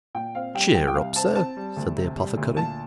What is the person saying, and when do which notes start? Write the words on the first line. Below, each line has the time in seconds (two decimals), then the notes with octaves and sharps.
'Cheer up, sir!' said the apothecary.
0.15 A#2 G5
0.35 C4 F5
0.54 G3 G5
0.75 G3 G5
0.88 G5
0.95 C2 F5
1.16 C4 A5
1.35 C4 A5
1.57 G3
1.77 D2
1.97 C3
2.17 G3
2.37 D2
2.57 A#2 A5